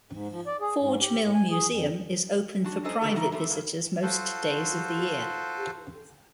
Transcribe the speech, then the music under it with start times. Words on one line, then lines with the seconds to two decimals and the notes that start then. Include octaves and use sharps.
Forge Mill Museum is open for private visitors most days of the year.
0.10 G#2
0.30 F3
0.47 D5
0.61 G#4
0.80 G#2
1.00 G4
1.21 A2
1.34 G#5
1.51 G#4
1.70 F2
2.64 D4 F#4
2.84 C#4 D#4 A4 C5 D#5
3.01 D3 D#3 A3 B3 F#4 A4
3.16 D#3 E3 A3 D#4
3.32 G3 A3 C4
3.50 G2 A#3
4.02 F4 F#4 A4 C5